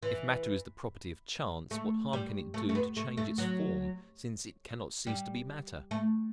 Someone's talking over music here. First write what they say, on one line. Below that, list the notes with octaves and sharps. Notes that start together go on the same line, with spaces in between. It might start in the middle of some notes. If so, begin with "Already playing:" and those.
If matter is the property of chance, what harm can it do to change its form since it can not cease to be matter?
E3
A3
G3
A3
A3
B3
A3
A3
F#3
G3
A3